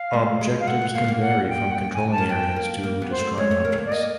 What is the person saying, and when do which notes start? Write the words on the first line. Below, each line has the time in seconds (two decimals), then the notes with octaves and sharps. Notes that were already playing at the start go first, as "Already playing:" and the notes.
Objectives can vary from controlling areas to destroying objects.
Already playing: F5
0.13 A3
0.41 G#3
0.60 F5
0.67 A3 F#5
0.81 B3
0.94 A#3 F5
1.04 B3
1.08 A#3
1.22 F#5
1.49 G5
1.70 F#5
1.75 G5
1.94 G#5
2.11 A5
2.18 A#3
2.29 B3 G5
2.56 A#3
2.84 A#3
3.02 B3
3.10 C5
3.19 A3
3.37 G#3 C#5
3.51 A3
3.65 A#3
3.72 A3
3.78 A#3
3.86 D5
3.92 A#3 D#5